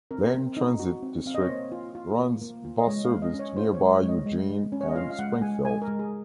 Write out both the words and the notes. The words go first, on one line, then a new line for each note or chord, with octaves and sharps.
Lane Transit District runs bus service to nearby Eugene and Springfield.
C4 A#4
C4
D#4
F#4
C4
C4 F5
D#5
C#5
A#3 C5
F4
F4
A#3
A#3
F4
D#5
G#3 C#5
F5
G#3
D#5
C#4
C#5
F4 C5
C#5
G#3
G#3 C#5
D#5
G#3
G#3
C#4
C#5
D#5
F4 F5
F5
G#3 F#5
F#5
G#3 G#5
G#3 G#5
A#4
G#3
G#4